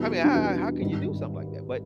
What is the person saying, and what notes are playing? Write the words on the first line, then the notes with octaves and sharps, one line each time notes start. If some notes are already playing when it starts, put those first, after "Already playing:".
I mean, how how how can you do something like that? But
Already playing: E2 B2 G3 B3 D#4
D4
E2 B2 G3 B3 C#4 D#4
G#1 G2 D#3